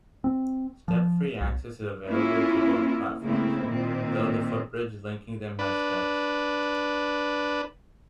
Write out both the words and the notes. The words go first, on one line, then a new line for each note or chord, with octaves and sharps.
Step-free access is available to both platforms, though the footbridge linking them has steps.
C4
F3
B1
A#3 C#4 E4 F4
C#3 A3 A#3 C4 E4
A#2 D#3 C4
D4 B4